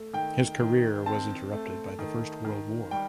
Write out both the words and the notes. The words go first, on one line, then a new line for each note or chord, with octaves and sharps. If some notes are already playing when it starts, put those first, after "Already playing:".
His career was interrupted by the First World War.
Already playing: A3
D#3 G5
D#3
C4 A5
A3
D#3
D#3
G3 G5